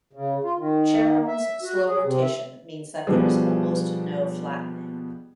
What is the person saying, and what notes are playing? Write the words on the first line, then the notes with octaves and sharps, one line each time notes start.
Charon's slow rotation means that there is almost no flattening.
C#3
F4
D#3
E5
F#4
G#4
C3
E5
B2 F3 G3 B3 D4 G#4